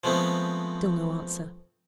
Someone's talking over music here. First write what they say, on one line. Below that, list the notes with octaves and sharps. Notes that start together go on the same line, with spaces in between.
Still no answer.
F3 G#3 A3 B3 C4